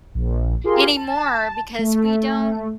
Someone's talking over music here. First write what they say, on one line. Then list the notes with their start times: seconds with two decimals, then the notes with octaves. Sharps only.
anymore, because we don't
0.15 A#1
0.64 F4 G4 G#4 A#4 C6
0.97 A5
1.79 A3